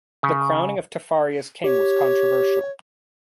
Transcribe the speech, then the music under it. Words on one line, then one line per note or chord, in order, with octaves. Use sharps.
The crowning of Tafari as King was controversial.
C#3
G4 C#5